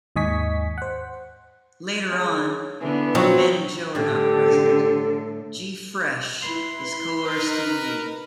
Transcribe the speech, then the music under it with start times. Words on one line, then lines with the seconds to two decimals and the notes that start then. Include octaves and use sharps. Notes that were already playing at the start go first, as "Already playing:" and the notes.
Later on, when Ben and Joe are not present, G-Fresh is coerced to leave.
0.16 D#2 G#2 D#5 G#5 C#6 B6
0.78 C5 F#5
2.11 C#3
2.81 D3 E3 B3
3.15 F3 F#3 C4
3.95 A2 D3 G3 G4 A4
6.43 E4 B4 C6
7.24 D#4 A#4 B4